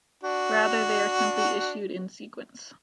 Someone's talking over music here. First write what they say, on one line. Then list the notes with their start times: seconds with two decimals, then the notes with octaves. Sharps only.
Rather, they are simply issued in sequence.
0.23 D4 F#4